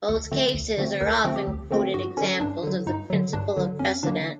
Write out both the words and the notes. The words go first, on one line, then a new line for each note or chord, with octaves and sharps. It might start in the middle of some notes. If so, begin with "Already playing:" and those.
Both cases are often quoted examples of the principle of precedent.
D2 A4
D3 F3 A3 C4
D2
D3 F3 A3 C4
D2 A#4
D3 F3 A3 C4 A4
G4
D2
D3 F3 A3 C4
G2 F#4
D3 F#3 C#4
G2 D4
D3 F#3
G2 D#4
D3 F#3
G2 D4
D3 F#3
F2 C#4
D3 F#3 A#3 D4